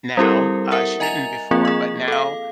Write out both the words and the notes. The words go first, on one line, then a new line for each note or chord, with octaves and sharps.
now- uh, she didn't before- but now,
G3 C4 E4 G4 A4 A#4
A#4 E5 F#5
D#5 G#5 A#5 A6 F7
F3 A#3 C4 F4 G#4
G#4 D#5
A4 F5